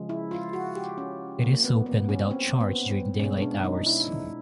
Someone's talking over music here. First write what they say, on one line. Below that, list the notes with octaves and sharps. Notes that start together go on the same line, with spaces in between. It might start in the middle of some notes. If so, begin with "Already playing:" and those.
It is open without charge during daylight hours.
Already playing: C#3 F3 G#3
E4
F4
F#4
G4
C#4
A#3
B3
B3
C#4
C4
B3
B3
B2 G#3 C#4
D4
D#4
E4